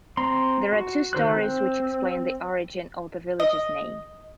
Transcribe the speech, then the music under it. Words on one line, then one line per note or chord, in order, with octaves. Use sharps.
There are two stories which explain the origin of the village's name.
C4 A#5 C6
F#4
D#3 C5 F#6
C4
D#5